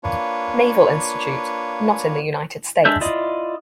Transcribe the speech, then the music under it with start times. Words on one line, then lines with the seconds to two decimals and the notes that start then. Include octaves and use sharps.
Naval Institute, not in the United States.
0.04 A#3 D4 F4 B4 C#5
2.85 G#3 D4 E5 G6
3.01 E4 F4 D5 D#5